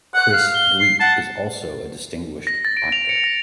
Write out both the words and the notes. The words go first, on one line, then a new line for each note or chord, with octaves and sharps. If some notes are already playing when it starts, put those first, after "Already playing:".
Chris Greet is also a distinguished actor.
F#5 F#6
F5
G7
C7
F#5 A5
A#6
A6
D7
F7
C#7
A#6